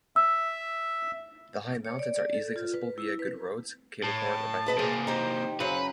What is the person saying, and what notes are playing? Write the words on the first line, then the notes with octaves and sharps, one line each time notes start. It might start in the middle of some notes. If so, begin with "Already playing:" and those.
The high mountains are easily accessible via good roads, cable cars or by foot.
E5 E6
C#5
D5
D5
A4
F4
B4
E4
B4
A2 A5
B2 B4 D#5
C3 A#3 G#4
D#4 G4 C5
F#2 C#3 F#3 B4 C5